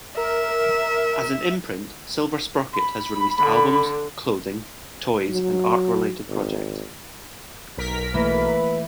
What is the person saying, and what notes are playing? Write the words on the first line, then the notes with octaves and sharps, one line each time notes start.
As an imprint, Silver Sprocket has released albums, clothing, toys, and art-related projects.
A#4 E5
B5
D3
F#3
G#1
B1 A#4 B6
E3 A3 A#3 B4